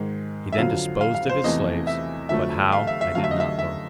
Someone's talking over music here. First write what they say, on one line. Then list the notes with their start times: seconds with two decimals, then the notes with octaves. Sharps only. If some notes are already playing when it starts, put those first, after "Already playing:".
He then disposed of his slaves, but how I did not learn.
Already playing: G#2 D#3 G#3
0.52 E5
0.57 F2 D3 F#3 F5
1.01 F5
1.15 F5
1.29 C5
1.44 E2 C3 E3 A3 D#5
1.87 E5
2.29 F2 D3 F#3 A3 E5
2.72 F5
2.87 E5
3.01 E5
3.15 F#2 D3 F#3 A3 F5
3.24 E5
3.31 D#5
3.40 E5
3.59 E5